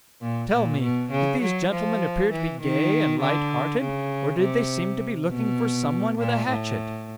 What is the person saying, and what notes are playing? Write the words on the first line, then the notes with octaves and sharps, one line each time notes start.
"Tell me, did these gentlemen appear to be gay and light-hearted, or did they seem to be looking for someone with a hatchet?"
A#2
A#2
B2
C#3
F#3
F3
E3
D#3
D3
C#3
C3
B2
A#2
A2